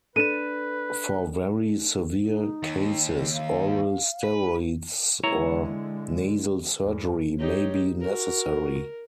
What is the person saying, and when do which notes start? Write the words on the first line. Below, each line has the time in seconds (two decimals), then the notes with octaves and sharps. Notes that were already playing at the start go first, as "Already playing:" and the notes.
For very severe cases, oral steroids or nasal surgery may be necessary.
0.16 D4 A4 B4 D#7 E7
2.25 D#4
2.63 D#2
3.33 F5
4.23 B4
5.23 D3 G#3 E4 C#5 A#5
6.83 E2 G2
7.39 D#4 G4 C#5
8.01 F#4 A#4